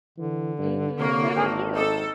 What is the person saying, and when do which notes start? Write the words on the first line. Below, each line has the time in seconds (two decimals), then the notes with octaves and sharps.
Mhm. What about you?
0.18 D3 E3
0.59 G2
0.99 C3 A#3 A#4 C#5 B5
1.36 G#1 C4 D4 A#4
1.75 D#4 A4 D5 D#6